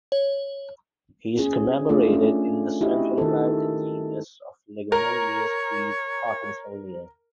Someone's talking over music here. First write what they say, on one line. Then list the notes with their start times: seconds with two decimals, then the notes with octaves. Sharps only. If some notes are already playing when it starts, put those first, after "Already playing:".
He is commemorated in the Central American genus of leguminous trees "Parkinsonia".
0.12 C#5
1.39 C#4 G#4
1.89 A3 D4 F4 D5
2.13 C#4
2.81 E4 F#4 G4 D#5
3.18 D#3 A4
4.92 A#4 C#5